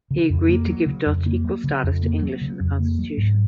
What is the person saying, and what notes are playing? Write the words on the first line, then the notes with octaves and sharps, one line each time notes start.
He agreed to give Dutch equal status to English in the constitution.
C#3
F2
A#3
F#3
C#3
F2
A#3
F#3
C#3
F2
A#3
F#3
C#3
F2
A#3
F#3
G#2